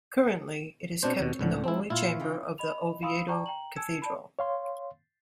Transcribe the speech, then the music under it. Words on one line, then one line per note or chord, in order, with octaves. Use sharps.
Currently, it is kept in the Holy Chamber of the Oviedo Cathedral.
B2 C4 D4 C5 C#5
D#2 B2
C#2 A2 D3
E2 G#3 C4 E4
A#2 E4 F4
C#3 D#4 G5
D#5 B5 F7
F5 G#5 B5 C6 D#6 E6
D5 G5 A5 A#5 C#6
G5 A#5 F#7
G#5 A5 E6 G#6 C#7 E7
D5 A5 B5
C#5 F5 C6